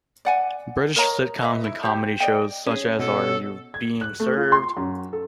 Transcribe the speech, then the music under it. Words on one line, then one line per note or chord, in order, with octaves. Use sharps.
British sitcoms and comedy shows such as Are You Being Served?
D5 F#5 G#5
A#4 C#5 D#5 A#5
B4 D#5 E5
E4
G4 C5
D5 D#5 G5
C#4 G#4 C#5
B2 A4
G#6
F#6
A3
F4
C6
F#2
A4